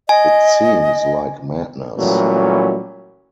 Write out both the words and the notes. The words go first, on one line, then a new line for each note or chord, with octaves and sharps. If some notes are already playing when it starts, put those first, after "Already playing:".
It seems like madness!
D#5 G#5
A#2 E3 F#3 G3 A3 C#4